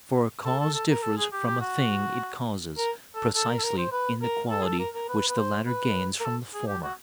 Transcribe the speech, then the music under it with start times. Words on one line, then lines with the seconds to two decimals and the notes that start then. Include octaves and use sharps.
For a cause differs from a thing it causes, precisely in the quality which the latter gains from the former.
0.45 A4
0.60 A4
0.74 A4
0.89 A#4
1.02 A4
1.17 G#4
1.32 G4
1.47 G4
1.60 F#4
2.77 A#4
3.15 A4
3.35 A4
3.48 A#4
3.58 A4
3.63 A#4
3.77 C5
3.92 B4
4.22 A#4
4.50 A4
4.61 G#4
4.64 A4
4.79 A#4
4.95 A#4
5.09 B4
5.28 B4
5.37 C5
5.66 B4
6.20 A#4
6.25 A4
6.54 G#4
6.68 G4
6.83 F#4